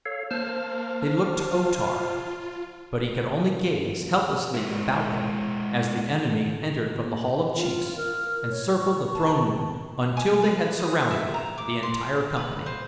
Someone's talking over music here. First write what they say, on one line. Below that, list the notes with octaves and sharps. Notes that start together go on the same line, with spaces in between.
They looked to O-Tar; but he could only gaze helplessly about him as the enemy entered from The Hall of Chiefs and circled the throne room until they had surrounded the entire company.
A4 C#5 F5
A#3 C5 A5 F6
F4
G#3 E4
F4
A#4
C#5
C#6
A5
G#5
B4
D#6
E5
A#5
D6
C6
B4
C5